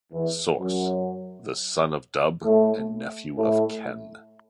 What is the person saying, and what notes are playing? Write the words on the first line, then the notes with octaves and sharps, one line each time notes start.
Source; the son of Dub and nephew of Ken.
E2 E3
F#2 F#3
A2 A3
A2 A3